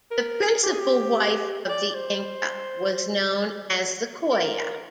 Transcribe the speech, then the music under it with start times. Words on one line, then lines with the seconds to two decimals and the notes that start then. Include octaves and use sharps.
The principal wife of the Inca was known as the Coya.
0.11 A#4
0.63 G4
0.71 G#4
0.79 G4
1.69 D5
1.89 D5
1.94 C5
4.32 A#4